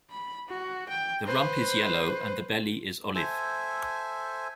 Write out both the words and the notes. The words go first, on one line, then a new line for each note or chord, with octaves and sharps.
The rump is yellow and the belly is olive.
B5
F#4
G5
B4 C5
A4 C5 E5 G#5